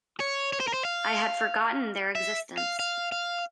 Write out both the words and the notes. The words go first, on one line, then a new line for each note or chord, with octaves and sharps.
I had forgotten their existence.
C#5
C#5
C5
A#4
C5
F5
E5
F5
F5
F5